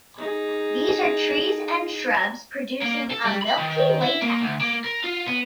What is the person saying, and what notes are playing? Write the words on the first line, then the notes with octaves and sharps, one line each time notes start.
These are trees and shrubs producing a milky latex.
D#4 G#4
A#3
A4
G3
B5
D#3
E4
A#3
D2
A#3
A#4
F4
B3